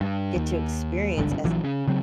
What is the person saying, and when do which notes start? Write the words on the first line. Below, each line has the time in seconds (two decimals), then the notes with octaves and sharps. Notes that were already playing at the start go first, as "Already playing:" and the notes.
get to experience as
0.01 G2
0.36 D#2
1.18 G#1 C#2 G2 D3
1.44 A#1 E3 F#3
1.64 C#3
1.87 C#3 F#3 C4